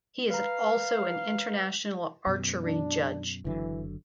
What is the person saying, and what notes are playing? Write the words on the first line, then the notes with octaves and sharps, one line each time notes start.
He is also an international archery judge.
B4 F5 A#5
F#2 B2
D4
F#1 D3 E3 F#3